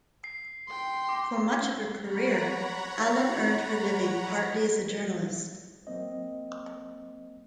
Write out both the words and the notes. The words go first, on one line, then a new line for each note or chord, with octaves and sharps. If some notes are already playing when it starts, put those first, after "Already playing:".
For much of her career, Allen earned her living partly as a journalist.
C7
G5 C6
D6
C#5 F#5 A#5 B5
F#3 A#3 C4 D#5